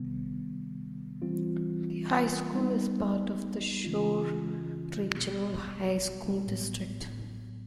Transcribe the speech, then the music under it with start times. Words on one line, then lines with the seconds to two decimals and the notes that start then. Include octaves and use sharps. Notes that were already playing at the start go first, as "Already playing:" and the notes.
The high school is part of the Shore Regional High School District.
Already playing: C3 D#3 G3 B3
1.22 E3 G3 C4 F4
2.54 G3 B3 D#4
3.84 C#3 E3 G#3 C#4 F4
5.16 B2 G3 B3
6.47 A2 F#3 B3